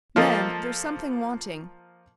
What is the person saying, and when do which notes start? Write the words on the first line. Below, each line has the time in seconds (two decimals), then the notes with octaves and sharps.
'Man, there's something wanting.
0.16 F3 A#3 A4 D#5